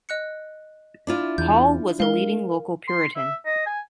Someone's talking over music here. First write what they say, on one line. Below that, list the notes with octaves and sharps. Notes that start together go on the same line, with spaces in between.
Hall was a leading local Puritan.
D#5 F#6 C#7
D4 E4 F4
E2 G6
G#3 A#4 F5
C6
E5
D#5
G#5